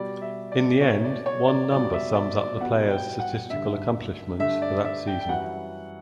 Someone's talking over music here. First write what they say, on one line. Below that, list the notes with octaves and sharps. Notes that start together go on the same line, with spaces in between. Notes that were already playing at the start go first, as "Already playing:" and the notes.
In the end, one number sums up the players' statistical accomplishments for that season.
Already playing: B2 G3 D5
E5
D5
B2 A3 C#5
D5
C#5
D5
B2 G3 D5
E5
D5
D5
E2 B2 G3 F#5
G5
F#5
G2 D3 A3 E5
G2 D3 A3 E5
D5
E5
G5
G5
F#2 E3 G3 F#5